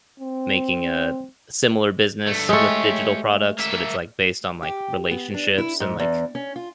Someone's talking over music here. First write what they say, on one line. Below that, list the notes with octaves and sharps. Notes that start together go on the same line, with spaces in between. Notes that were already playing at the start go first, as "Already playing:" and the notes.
making a similar business with digital products, but it's, like, based on, like, relationships and, like,
C4
G2 A3
G#3 A3 G4 C#5
A#3 E5
G4
B3
D4
E4
G#2
E2
C#4
F4